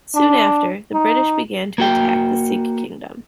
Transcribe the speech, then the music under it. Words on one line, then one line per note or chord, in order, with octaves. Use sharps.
Soon after, the British began to attack the Sikh Kingdom.
D4
D#4
A#3 F#4 G5